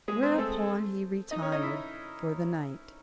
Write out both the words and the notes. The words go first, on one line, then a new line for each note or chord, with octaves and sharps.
Whereupon he retired for the night.
G#3 G#4
C4 C5
A3 A4
D#4 D#5
C#4 C#5
D#4 D#5
E4 E5